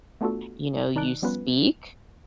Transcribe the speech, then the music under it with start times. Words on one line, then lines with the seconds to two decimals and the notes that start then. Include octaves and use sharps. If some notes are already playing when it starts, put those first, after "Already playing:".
you know, you speak
0.21 A3 B3 D4 F4 F#4 A4
0.96 D#3 D#4 D5 A5 F#6 D7
1.22 F3 G3 B3 C#4 F4 B4